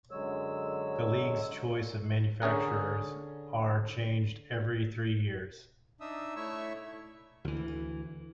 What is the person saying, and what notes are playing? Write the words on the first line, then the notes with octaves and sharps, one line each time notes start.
The league's choice of manufacturers are changed every three years.
F#2 D3 F#3 G#3 C#5 E6
D3 C#4 G#4 A#4
D4 D#4 E5 D#6 E6
A3 E4 C#5 E5 C#6 E6
D2 E3